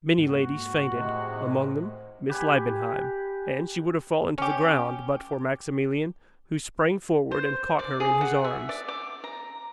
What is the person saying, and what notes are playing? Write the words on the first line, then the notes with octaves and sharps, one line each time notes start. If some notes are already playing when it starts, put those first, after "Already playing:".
Many ladies fainted; among them Miss Liebenheim--and she would have fallen to the ground but for Maximilian, who sprang forward and caught her in his arms.
G#2 G#3 A#3 F#4
A2 C3 D#3 G#3 A3 C5 D#5
G4 B4 G#5
C#4 G4
C5
D5
G#4
F#5
E5
D5
D6
A#5